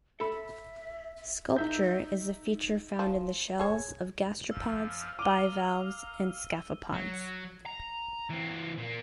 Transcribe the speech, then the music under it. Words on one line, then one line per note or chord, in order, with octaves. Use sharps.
Sculpture is a feature found in the shells of gastropods, bivalves, and scaphopods.
A4 E5 B5
D#4 E5 G6
F3
G#4 C#5
F#2 F3 F5 E6
A#5 D6 D#7 G7
F#3
A#5
E3 C4
A#2 A#3